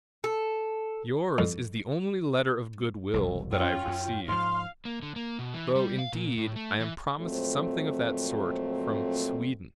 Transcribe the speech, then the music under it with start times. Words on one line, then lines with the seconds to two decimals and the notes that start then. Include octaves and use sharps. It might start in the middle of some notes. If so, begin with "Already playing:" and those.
Your's is the only letter of goodwill that I have received; though, indeed, I am promised something of that sort from Sweden.
0.24 A4
1.38 F2
3.14 E1 C2
3.52 F#2 C#4 F4 G5
3.88 F#2
4.28 G#2 F3 F5 C6
4.85 A#3
5.02 D3
5.16 A#3
5.39 B2
5.54 E3
5.75 G3
5.98 F5
6.12 A#2
6.37 A2
6.56 A3
6.80 E3
7.20 F2 A#2 F#3 A3 C4